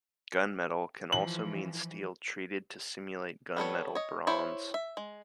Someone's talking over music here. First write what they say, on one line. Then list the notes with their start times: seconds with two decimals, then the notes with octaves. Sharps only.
Gunmetal can also mean steel treated to simulate gunmetal bronze.
1.12 E3 F3 F#7
3.57 G3 B3 A4 C#5
3.95 C#5 D#5
4.27 E4 C5 C#5
4.74 E5
4.97 G#3